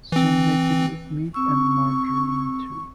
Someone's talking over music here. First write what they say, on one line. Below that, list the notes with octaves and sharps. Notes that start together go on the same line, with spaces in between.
Some make it with meat and margarine too.
E3 C4
C4 C#6 E6